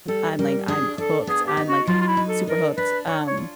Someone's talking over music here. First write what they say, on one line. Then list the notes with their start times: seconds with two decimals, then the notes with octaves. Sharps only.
I'm like, I'm hooked. I'm like super hooked. Um,
0.08 G3 A4
0.38 G3 A#4
0.68 D4 G#4
0.98 D4 A4
1.27 B3 G#4
1.47 G4
1.57 D#4
1.67 F#4
1.87 F#3 F4
2.01 F4
2.07 E4
2.17 D#4
2.28 A4
2.47 D4 A#4
2.77 D4 B4
3.07 D4 C#5
3.27 C#5
3.37 F4